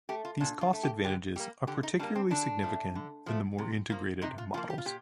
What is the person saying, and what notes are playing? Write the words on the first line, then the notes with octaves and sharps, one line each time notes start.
These cost advantages are particularly significant in the more integrated models.
A3 G4
F4
A#2 D4
F4
A3
G4
D3 G4
G3 A#3 G4
D3 G4
D#4
G3 A#3 D4
C4
D3 D4
F3 A3
D3
F3 A3
C3
F3 A#3
C3 D#4
F4
F3 A#3 F4
G4
F4
A#2 G4